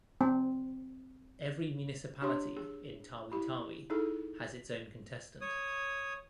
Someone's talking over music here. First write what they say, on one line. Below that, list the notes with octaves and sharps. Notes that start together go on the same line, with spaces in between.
Every municipality in Tawi-Tawi has its own contestant.
C4
D4 G4 C#5 C6
G#4
E4 G4
D#4 E4 G#4 A4
C#5 D#6